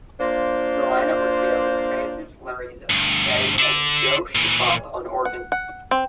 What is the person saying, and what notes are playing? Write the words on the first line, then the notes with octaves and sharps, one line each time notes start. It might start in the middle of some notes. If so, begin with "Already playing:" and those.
The line-up was Bailey, Francis, Larizza, Shedden and Joe Chiofalo on organ.
A#3 D4 F4 C5
D2 G2
D3 D5
A#2 E3
F#5
F#5
C4